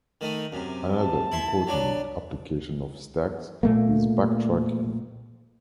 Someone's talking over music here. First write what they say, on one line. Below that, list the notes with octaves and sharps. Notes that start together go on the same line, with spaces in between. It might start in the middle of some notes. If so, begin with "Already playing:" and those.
Another important application of stacks is backtracking.
D#3 A3 D#4
F#2 C3
A5
E4 E5 C6
F#3 G3 D4
A#2 A3 A#3